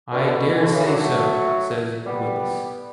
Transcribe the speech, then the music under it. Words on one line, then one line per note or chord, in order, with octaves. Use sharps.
"I daresay so," said Willis.
B2 D3
B2 D3
B2
B2
E3
B2 D3
C#3 E3
D3 F#3
F#3 A3
G3 B3